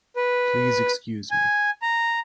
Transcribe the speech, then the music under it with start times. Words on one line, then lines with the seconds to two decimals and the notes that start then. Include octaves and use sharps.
Please excuse me.
0.16 B4
1.31 G#5
1.82 A#5